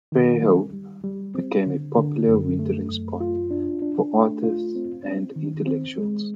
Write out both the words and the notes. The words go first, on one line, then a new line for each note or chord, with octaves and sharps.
Fairhope became a popular wintering spot for artists and intellectuals.
D#3
G3
G3
G3
C4
D3
D3
F#2
A3
F#2
F4
D4
D4
A3
F4
C4
C4
D#3
C4
G#3